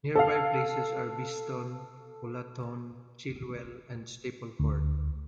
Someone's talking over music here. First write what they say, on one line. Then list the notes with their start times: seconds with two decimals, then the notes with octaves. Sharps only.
Nearby places are Beeston, Wollaton, Chilwell and Stapleford.
0.15 A4 F5
4.59 D2